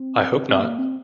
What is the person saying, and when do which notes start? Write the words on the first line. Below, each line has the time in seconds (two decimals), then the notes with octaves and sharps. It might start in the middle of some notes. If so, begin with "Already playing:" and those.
I hope not.
Already playing: C4
0.49 C4
0.59 A#3
0.79 C4